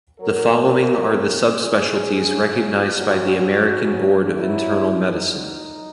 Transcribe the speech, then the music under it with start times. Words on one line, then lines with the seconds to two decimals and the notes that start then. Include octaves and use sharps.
The following are the subspecialties recognized by the American Board of Internal Medicine.
0.19 B2 F#3 A#4
0.88 A#2 F#3
1.57 C#3 E3 G#4
2.27 C#3 F#3
2.97 A#2 F#3 F#4
3.66 C#3 F#3
4.35 B2 F#3 E4
5.04 A#2 F#3 D#4